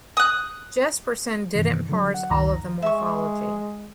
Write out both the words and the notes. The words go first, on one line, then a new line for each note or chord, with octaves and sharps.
Jespersen didn't parse all of the morphology.
D#6 F#6
G2 C3 D#3 E3
D3 F#3
F#5
C#2 F#2 D#3 A#5 A#6
G#3 E5 C#6